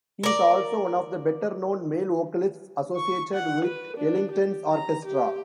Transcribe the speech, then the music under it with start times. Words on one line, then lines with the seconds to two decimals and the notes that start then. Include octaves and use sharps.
He is also one of the better known male vocalists associated with Ellington's orchestra.
0.23 A#4 D5
2.97 C#6
3.34 F#5
3.65 B4
3.97 D4
4.32 G4
4.72 A#5
5.06 G4